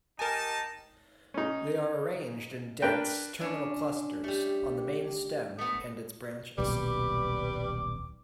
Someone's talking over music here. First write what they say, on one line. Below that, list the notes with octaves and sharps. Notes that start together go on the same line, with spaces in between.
They are arranged in dense, terminal clusters on the main stem and its branches.
D#4 G4 A#4 G#5 A5
C#4 D#4
D4 A#4 B4 G5
C#4 D4
G3 A3 G4
A3 B3 D#6
D#1 B1 G3 B4 D6